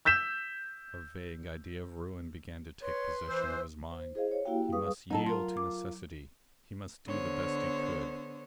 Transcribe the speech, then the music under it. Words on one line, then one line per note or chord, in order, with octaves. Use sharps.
A vague idea of ruin began to take possession of his mind: he must yield to necessity; he must do the best he could.
E6 G6 B6 E7
B4 C#5 C6
E3 C5 E6
C5
E4 G#4 C5 D#5 F5
C#5
A#3 E4 F#4 G4 F5 G5
G3 G#4 B4 F5 C#6 D#6
F#3 D#4 A4 A5
F4 A#4 C6
D6
D3 B3 C5 C#5